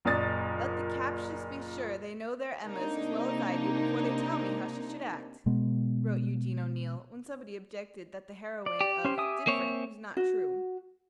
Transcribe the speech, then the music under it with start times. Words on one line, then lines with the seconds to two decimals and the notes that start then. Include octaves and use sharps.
"Let the captious be sure they know their Emmas as well as I do before they tell me how she would act," wrote Eugene O'Neill when somebody objected that the heroine of "Diff'rent" was not true.
0.05 F#1 A#2 D5 D#6 A6
2.65 C3 A#3 C4 D4 D#4
5.46 B2 G#3 B3
8.66 D5
8.81 G4
9.05 C#4 C5
9.18 E5 G#5 D#6
9.47 A#3 C4 C#5
10.17 F#4